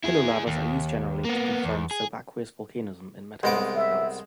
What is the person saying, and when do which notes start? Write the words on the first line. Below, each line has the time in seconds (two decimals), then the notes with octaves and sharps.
Pillow lavas are used generally to confirm subaqueous volcanism in metamorphic belts.
0.04 E4 G#4
0.47 D#2
1.24 A#3 B3
1.64 E2
1.91 G#4
3.43 C2 G#3 B3 C5 D#5 D6
3.75 E5